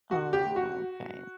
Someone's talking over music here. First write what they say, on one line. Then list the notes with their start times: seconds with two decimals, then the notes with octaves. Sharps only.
Oh, okay.
0.11 F#4
0.33 G4
0.56 F#4